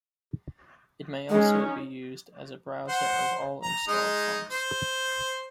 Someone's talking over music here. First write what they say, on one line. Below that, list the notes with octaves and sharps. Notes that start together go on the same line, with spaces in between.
It may also be used as a browser of all installed fonts.
G#3 C#4 D#4
C5 F#5
A#5
G#3 D#4
C5